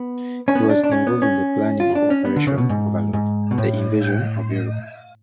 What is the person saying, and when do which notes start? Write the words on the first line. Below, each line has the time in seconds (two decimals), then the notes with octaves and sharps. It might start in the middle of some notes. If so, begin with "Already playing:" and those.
He was involved in the planning of "Operation Overlord", the invasion of Europe.
Already playing: B3
0.48 C#4
0.55 B3
0.63 C#4
0.69 D4
0.84 D4
0.92 C#4
1.07 B3
1.22 C#4
1.80 F4
1.95 D4
2.10 C#4
2.25 B3
2.36 D3
2.47 C#3
2.58 B2
2.69 G#2
3.13 G#2
3.51 B2
3.58 A2